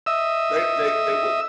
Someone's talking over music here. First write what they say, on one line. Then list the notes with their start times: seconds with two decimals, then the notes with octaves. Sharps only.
They they they wouldn't.
0.06 D#5 E5 E6